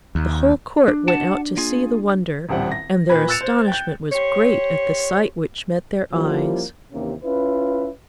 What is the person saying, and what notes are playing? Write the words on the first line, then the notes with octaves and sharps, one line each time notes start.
The whole court went out to see the wonder, and their astonishment was great at the sight which met their eyes.
D#2
D4
F#4 F#5 A5
A#3 F4 G#4
D#1 A1 D2 G3 C4 F#5
A#6
A#2 B4 B5 G#6
E6 F#6 A6 C#7 E7 F7
C5
G5 G6
G4 C5 C#5
F3 G3 A#3 C#4 E4 G4
D#2 C3 D#3 E3 A#3 C#4
C#4 E4 F4 B4